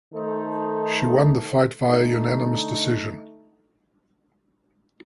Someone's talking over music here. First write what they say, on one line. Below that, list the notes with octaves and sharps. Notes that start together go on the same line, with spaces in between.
She won the fight via unanimous decision.
D#3 A3 D#4 A4 C5
D3 A3 D#4